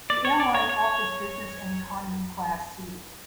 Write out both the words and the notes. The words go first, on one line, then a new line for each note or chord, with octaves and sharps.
The airline offers business and economy class seating.
D5
C#5
D5
C#5
C#5